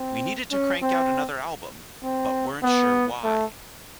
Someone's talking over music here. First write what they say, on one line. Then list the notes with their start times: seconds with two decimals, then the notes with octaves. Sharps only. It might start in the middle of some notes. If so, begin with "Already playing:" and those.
We needed to crank out another album, but weren't sure why...
Already playing: C4
0.52 C#4
0.82 C4
2.03 C4
2.63 B3
3.24 A3